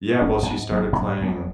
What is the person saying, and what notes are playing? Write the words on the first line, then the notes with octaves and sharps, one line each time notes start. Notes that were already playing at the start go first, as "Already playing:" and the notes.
Yeah, well, she started playing
G#1 A#3 C#4
G#2 G#3 B3
G#1 F#3 A#3
G#2 F#3 A#3
F#1 G#3 B3